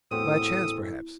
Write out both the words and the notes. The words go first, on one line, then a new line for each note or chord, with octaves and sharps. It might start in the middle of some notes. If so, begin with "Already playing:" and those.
'By chance, perhaps.
E2 A2 C4 F#4 A4 D#6